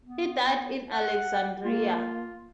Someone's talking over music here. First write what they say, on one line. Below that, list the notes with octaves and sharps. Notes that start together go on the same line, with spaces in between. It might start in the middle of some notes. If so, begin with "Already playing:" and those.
He died in Alexandria.
B3
F#5
A#3 F4